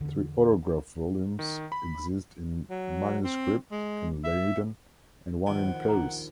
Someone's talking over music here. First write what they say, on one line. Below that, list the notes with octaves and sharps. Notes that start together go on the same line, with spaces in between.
Three autograph volumes exist in manuscript in Leiden and one in Paris.
E2 D3
D#3
B5
F#3
C4
G#3
E5
A#1 D#2 D#3 F#5
A#5